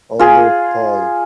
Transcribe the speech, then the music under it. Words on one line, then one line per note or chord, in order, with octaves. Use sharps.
Although Pol.
F4 G#4